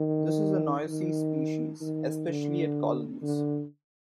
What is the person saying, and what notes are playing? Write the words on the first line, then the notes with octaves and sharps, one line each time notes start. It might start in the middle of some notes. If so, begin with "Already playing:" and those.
This is a noisy species, especially at colonies.
Already playing: D#3
D#3
D#3
D3
D3